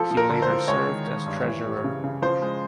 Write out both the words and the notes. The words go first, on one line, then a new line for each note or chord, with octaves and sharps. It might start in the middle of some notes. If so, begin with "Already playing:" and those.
He later served as treasurer.
Already playing: F3 A4
F3
A#4
D3
C5
F3
G#3 C#5
D#3
D#3
G2
E3
G3
C#3
C#3
F3 C5
G#3